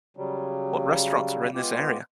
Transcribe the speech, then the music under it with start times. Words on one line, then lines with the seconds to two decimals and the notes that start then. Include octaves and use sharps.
What restaurants are in this area?
0.17 C#3 F#3 G3
1.54 G#3 B3 F4 G4